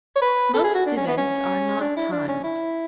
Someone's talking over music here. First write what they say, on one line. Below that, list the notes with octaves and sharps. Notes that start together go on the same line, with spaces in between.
Most events are not timed.
C#5
B4
A4
G#4
F#4
D4
C#4
B3
C#4
D4
E4
D4
C#4
E4